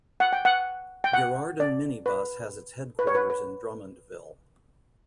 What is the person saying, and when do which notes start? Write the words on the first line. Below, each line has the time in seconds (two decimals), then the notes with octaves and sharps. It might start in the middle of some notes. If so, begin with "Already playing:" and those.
Girardin Minibus, has its headquarters in Drummondville.
0.20 F#5
0.33 G5
0.45 F#5
1.04 G5
1.13 F#5
1.60 D5
2.06 B4
2.99 B4
3.07 C#5
3.15 B4
3.30 B4